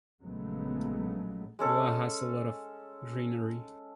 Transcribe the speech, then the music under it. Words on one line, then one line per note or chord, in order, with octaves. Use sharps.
Goa has a lot of greenery.
A#1 C#3 F#3 G#3 A3 B3
G#3 C#4 A4 C#6